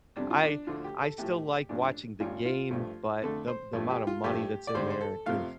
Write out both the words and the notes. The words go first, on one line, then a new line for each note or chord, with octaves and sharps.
I I still like watching the game, but the the amount of money that's in there, ugh,
F2 C3 G3 D4
F4
D4
D2 D3 F3 A3 F4
G4
A4
A1 A2 F3 A3 G4
A1 G2 F3 D4
A1 G2 G3 F4
F4
G2 F3 A3
F2 D3 A3 A4
C5
G2 F3 A3
G4
F4
G2 F3 A3 G4
D5
G2 D3 G3 C5
C5
A4
F2 C3 F3 A3 F5